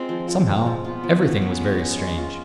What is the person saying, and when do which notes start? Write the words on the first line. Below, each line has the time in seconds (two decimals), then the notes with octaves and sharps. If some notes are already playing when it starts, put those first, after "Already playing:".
Somehow--everything was very strange.
Already playing: G#3 C4 F4
0.09 F3
0.28 F3
0.47 G#3
0.66 F3
0.84 B3 F4
1.03 F3
1.23 C#4
1.42 C#4
1.60 G#3
1.79 C#4
1.98 G#3
2.17 F4